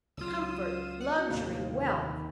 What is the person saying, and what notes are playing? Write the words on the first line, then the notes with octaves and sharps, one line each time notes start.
Comfort, luxury, wealth!
C#2 F#3 F4 D#6 E6
F#5
F#4
F1 D#2 A2 D3 F5
B5